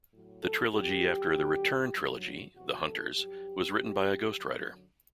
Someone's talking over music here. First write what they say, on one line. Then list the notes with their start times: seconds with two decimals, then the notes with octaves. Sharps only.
The trilogy after "The Return" trilogy, "The Hunters", was written by a ghostwriter.
0.12 A2 F#3
0.42 A4
0.73 D2 D3 F#3 G4
1.33 D2 D3 F#3
1.94 G2 F#3
2.54 E2 C3 F#3 F#4
2.84 A4
3.14 G2 F#3 G4
3.76 A2 E3
4.36 F#2 D3 F#3